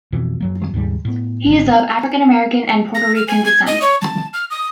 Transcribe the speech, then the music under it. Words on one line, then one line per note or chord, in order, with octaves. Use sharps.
He is of African American and Puerto Rican descent.
F2 B2 E3
F#2 F#3 A#3
D#2 G#2 C#3 G3
A2 B3
G#1 D3
A#6
F6
G#5
G#6
D#5
C#5
A5
F6
D#6